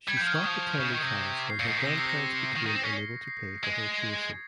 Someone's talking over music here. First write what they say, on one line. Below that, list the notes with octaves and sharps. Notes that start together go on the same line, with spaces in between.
She stopped attending class when her grandparents became unable to pay for her tuition.
G3 G#6
G6
F3
F6
D#3 C#6
F3 D#6
C#3 C#6
F6
D#3
G#6
C3 A#6
C7
A#2 C#7
G#2 C7
A#2
C3 A#6
C7
A#6
D#3
D#3
C4
C#4
C7
G#3
G#6